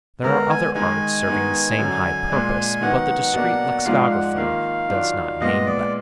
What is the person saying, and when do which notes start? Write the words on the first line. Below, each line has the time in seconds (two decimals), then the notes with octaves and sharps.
There are other arts serving the same high purpose, but the discreet lexicographer does not name them.
0.23 D3 G#3 B3 A#4
0.50 G#5
0.75 D#3 G#3 D#4 G#5
1.26 D#3 G#3 B3 D#4
1.79 F#2 D3 F#3
2.30 A#2 G#3 D4
2.81 D#3 F#3 B3 D#4 F#5
3.34 B2 F#3 A#3 D4
3.85 G#2 F3 G#3 D4 F4 F5
4.11 F#5
4.36 D#3 A#3 F4 F5
4.88 D#3 F#3 D4 F4
5.41 A#2 G#3 B3 D#5
5.66 D5